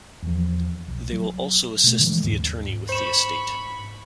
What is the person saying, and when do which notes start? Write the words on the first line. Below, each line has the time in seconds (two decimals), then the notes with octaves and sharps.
They will also assist the attorney with the estate.
0.22 E2 F3
0.88 B1
1.13 F#3
1.84 B2 A3
1.99 D3 E3 F3 G#3
2.24 D#2 G#2
2.89 G#2 C5 B5 C#6 E7